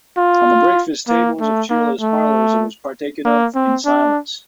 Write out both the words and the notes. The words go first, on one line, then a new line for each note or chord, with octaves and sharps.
On the breakfast-tables of cheerless parlours it was partaken of in silence.
F4
A#3
A3
A#3
A3
A#3
C4
D4